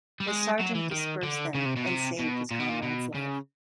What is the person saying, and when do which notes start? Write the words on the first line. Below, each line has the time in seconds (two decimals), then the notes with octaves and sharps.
The sergeant dispersed them and saved his comrade's life.
0.20 G3
0.27 G#3
0.60 F#3
0.75 E3
0.92 D#3
1.23 D3
1.55 C#3
1.66 C3
1.77 B2
1.86 C3
2.19 B2
2.51 A#2
2.60 B2
2.69 A#2
2.83 B2
3.15 C#3